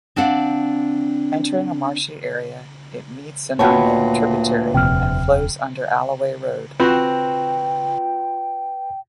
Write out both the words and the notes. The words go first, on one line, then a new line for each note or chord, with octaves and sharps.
Entering a marshy area, it meets an unnamed tributary and flows under Alloway Road.
C4 D4 F5 F#5
D2 A#2 B3 F#4 C#5 G5 A5
D#1 F2 C3 G5 F6
C4 F4 F#4 B4 C5 G5